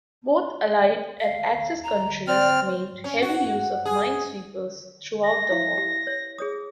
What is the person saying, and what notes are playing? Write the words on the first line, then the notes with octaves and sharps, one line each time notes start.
Both Allied and Axis countries made heavy use of minesweepers throughout the war.
F5
A#5
C4 D5 F6
C#4
F#4
G#4
A#6
E4 E5 F5
G4
C#5
G#4 C#5 D#6